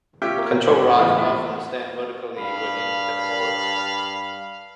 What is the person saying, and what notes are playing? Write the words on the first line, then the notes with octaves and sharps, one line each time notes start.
Control rods often stand vertically within the core.
C#4 F4 G4 E5 G5
A#3
G#2 G4 C#5
A1 E2 C#3 B3 F4 D#6
A#1 E2 B5
G2 F5 B5